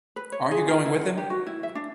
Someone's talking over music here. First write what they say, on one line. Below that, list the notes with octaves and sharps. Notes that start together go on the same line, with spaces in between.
Aren't you going with him?
B4
C#5
G#4
A#4
E4
F#5
G4
F#4
E4
E5
D4